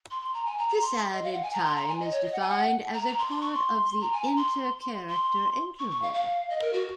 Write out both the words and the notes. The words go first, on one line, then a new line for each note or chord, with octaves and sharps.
This added time is defined as a part of the intercharacter interval.
C6
C6
A#5
G#5
A#5
A#5
C6
D#5
F5
F#5
G#5
A#5
C6
A#5
G#5
D#5
C#5
D#5
F#5
G#5
F#5
A#5
A#5
C6
C6
C#6
C6
A#5
G#5
A#5
C6
C6
C#6
C#6
F5
F5
D#5
A#4
F#4